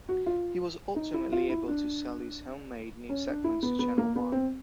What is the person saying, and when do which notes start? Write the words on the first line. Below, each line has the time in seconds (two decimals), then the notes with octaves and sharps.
He was ultimately able to sell his home-made news segments to Channel One.
0.09 F#4
0.26 F4
0.96 D#4
1.14 E4
1.33 F4
1.49 E4
1.68 D4
3.09 C#4
3.27 D4
3.44 E4
3.63 B3
3.79 B3
3.98 A#3
4.16 B3
4.32 C4